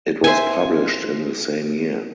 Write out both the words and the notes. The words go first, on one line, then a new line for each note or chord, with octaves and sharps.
It was published in the same year.
C5 E5 G#5